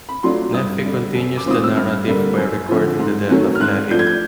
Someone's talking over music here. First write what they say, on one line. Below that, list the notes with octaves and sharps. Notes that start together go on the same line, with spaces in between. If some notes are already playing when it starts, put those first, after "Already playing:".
Nephi continues the narrative by recording the death of Lehi.
B5
F#3 A3 D4 F4 C6
G2 D#6
D3 G3
F#2
D6
D#3 G#3 C4 F4 D#6
E6
G2 F6
D3 G3 A#3
F#2
D3 F3
G#2
D#3 F#3 A3 C#4
F6
G#2 F#6
F3 A3 D4 F4 G6
G#6
G6